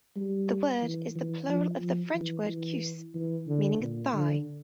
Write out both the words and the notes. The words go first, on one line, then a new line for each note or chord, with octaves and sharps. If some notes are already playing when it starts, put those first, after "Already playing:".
The word is the plural of the French word "cuisse" meaning 'thigh'.
G3
E3
E3
F3
F3
E3
E3
E3
D3
A#2
D3